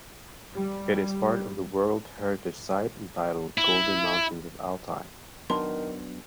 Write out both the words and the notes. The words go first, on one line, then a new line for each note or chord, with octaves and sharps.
It is part of the World Heritage Site entitled Golden Mountains of Altai.
G3
E4
D#3 F#3 B3 D4 C6